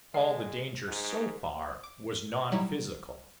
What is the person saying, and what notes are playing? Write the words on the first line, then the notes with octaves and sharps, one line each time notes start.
All the danger so far was nonphysical.
G#3 D#5
G#2
D6
F#3 G3 D#4 E4